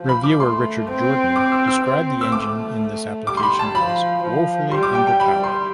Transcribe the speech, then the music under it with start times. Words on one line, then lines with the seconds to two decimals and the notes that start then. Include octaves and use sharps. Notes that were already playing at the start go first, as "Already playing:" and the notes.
Reviewer Richard Jordan described the engine in this application as "woefully underpowered".
Already playing: F3
0.09 B5
0.24 D6
0.40 A3 C6
0.88 C4
1.36 D6
1.52 E6
1.67 E6
1.84 C4
2.21 E6
2.32 A3 D6
3.27 G3 D6
3.37 C6
3.43 B5
3.59 A5
3.75 F3 B5
4.23 F3
4.71 G3 C6
4.83 D6
4.95 G5
5.07 G5
5.20 G3 B5
5.44 C6